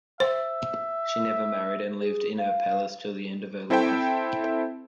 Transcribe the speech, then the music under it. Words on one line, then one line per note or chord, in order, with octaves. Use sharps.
She never married and lived in her palace till the end of her life.
C5 E5
G#4
F5
C4 E4 A4 C5 E5 G5